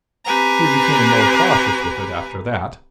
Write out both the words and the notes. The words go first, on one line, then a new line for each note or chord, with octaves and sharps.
He became more cautious with it after that.
C4 G4 B4 G#5 A#5